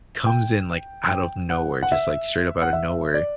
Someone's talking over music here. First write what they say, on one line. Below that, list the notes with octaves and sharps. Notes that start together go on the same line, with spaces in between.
comes in, like, out of nowhere, just, like, straight up out of nowhere,
G5
G5
F#5
F#5
E5
F#5
E5
D5